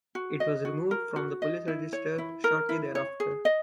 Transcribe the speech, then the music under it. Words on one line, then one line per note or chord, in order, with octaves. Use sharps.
It was removed from the police register shortly thereafter.
F#4
D#5
F#4
A#4
F#4
D#5
E4
C#5
E4
A#4
E4
C#5
G#4
D#5